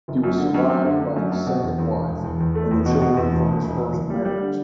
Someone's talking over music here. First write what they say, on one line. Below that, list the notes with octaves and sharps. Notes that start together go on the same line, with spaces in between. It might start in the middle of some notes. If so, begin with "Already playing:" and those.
He was survived by his second wife and the children from his first marriage.
F#1
F#2
D3
F#2
F#2
D3
D3
F#2
F#2
B2
E2
E2
E1
E1
E2
E2
A3
E2
B2
B2
E2
E1
E1
E1
E1
F#1
G3
G3
D3